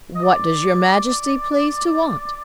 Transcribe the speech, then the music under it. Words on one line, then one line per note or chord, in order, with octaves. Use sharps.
'What does Your Majesty please to want?
D#5
D5